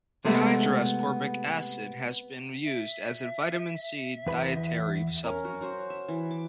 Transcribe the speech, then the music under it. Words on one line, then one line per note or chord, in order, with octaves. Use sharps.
Dehydroascorbic acid has been used as a vitamin C dietary supplement.
C3 G#3 A3 B3
E5
E2 B4 B5
C#4 A#4
F#4
F#3 F#4 C5
E5
E3
D6